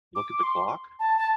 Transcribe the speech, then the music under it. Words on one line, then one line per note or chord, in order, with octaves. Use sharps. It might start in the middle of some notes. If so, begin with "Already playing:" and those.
Look at the clock?
D6
D6
C6
A5
A5